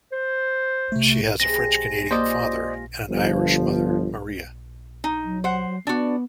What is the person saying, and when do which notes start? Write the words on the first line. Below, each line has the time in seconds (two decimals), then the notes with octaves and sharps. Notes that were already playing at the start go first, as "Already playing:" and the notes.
She has a French-Canadian father and an Irish mother, Maria.
0.12 C5
0.92 C3 A3
1.40 C3 G#3 A#6
2.11 A#3 F4 C5 D5 D#5
2.29 G#5
3.09 G1 F3
5.04 D#4
5.25 F#3
5.44 C5 F#5
5.87 B3 D4 F#4